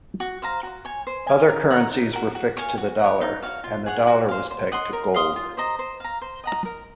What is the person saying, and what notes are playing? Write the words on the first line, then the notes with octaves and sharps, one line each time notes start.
Other currencies were fixed to the dollar, and the dollar was pegged to gold.
F#4
C5 F5 A#5
F#4
C#5 G#5
C5
F5 G#5
A#4
C#5 F#5 A#5
D#4
F#4 A#4
F#4
C#5 F5 G#5
F#4
C#5 F#5
D#4
F#4 C#5 F5
F4
G#4 C#5 F#5
F#4
C5 F5
C5
D#5 F#5 C6
A#4
F5 C6 D#6
F4
C5 D#5 A#5
C5
F5 A#5
C5
D#5 F#5 A#5
A#4